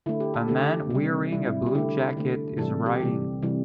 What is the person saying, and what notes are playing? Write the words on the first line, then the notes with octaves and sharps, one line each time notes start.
A man wearing a blue jacket is writing.
D3 A3 E4
G4
A4
D3 A3 G4
C3 G3
C3 G3 E4
E4
G4
D3 A3 E4
D3 A3
C3 E3 G3 A4
G4
C3 E3 G3
C3 E3 G3